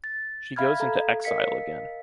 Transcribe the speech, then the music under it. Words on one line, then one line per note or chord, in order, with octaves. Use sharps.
She goes into exile again.
A6
E5 F5 B5 F6 G#6
A4 F5 A#5
A#4 D#5 F5 B6 C#7